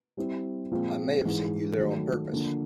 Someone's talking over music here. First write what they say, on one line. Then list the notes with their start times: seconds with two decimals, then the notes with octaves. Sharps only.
I may have sent you there on purpose.
0.17 G3 C4 E4
0.71 A#2 F3 G#3 C4 F4
1.25 G#2 E3 G#3
1.78 D#3 F#3 A3
2.32 D3 F3 A#3